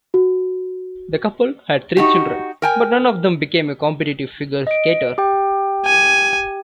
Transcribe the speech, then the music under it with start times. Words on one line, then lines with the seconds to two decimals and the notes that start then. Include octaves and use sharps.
The couple had three children, but none of them became a competitive figure skater.
0.14 F#4
1.97 D#4 F#4 G4
2.62 A#4 G5 G#5
4.67 D#5 D7
5.18 G4 G5
5.85 G#5